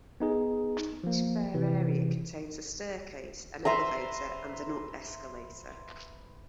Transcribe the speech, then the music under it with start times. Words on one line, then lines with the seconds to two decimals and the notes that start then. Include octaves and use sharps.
Each fare area contains a staircase, an elevator, and an up escalator.
0.20 B3 D#4 G#4
1.04 F3 A#3
1.54 C3 E3
3.65 B4 C5 E5 A#5